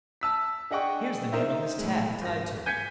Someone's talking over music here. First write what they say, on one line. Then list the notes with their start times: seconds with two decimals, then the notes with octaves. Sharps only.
Here's the name on this tag tied to it.
0.21 A5 E6 B6
0.71 D4 G#4 D#5 F#5 G5 C#6
1.32 D#4 A#4 C5 E5
1.78 A2 G#3
2.21 G#1 A#6
2.66 G#5 G6 G#6 B6 C#7